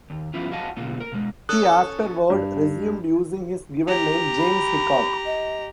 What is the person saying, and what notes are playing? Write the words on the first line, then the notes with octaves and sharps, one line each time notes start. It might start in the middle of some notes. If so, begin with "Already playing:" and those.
He afterward resumed using his given name, James Hickok.
D#2
E3 F3 B3 C#4 E4 F4
F#4 D#5 F5 F#5 G#5 A5
B2 D3 A#3 B3
A#4
B2 G#3
C#4 A4 D#6 F#6
G2
G4 A#5
B5
D#5